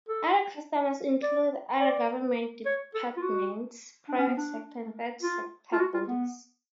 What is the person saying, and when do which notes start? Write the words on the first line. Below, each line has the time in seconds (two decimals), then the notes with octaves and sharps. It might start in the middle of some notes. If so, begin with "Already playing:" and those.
Other customers include other government departments, private sector and third sector bodies.
0.08 A4
1.23 D5
1.80 D5
2.66 C#5
2.94 A4
3.17 F4
3.23 F#4
4.08 D4
4.18 C#4
4.27 B3
4.37 D4
5.22 F4
5.73 F4
5.80 F#4
5.94 F4
6.08 B3